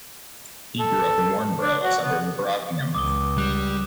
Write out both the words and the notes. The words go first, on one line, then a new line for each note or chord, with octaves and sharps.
He grew up in Warnbro, a suburb of Rockingham.
A4
D4
F#4
B3
C#2 D6 D#6 G7
G3 F#6 E7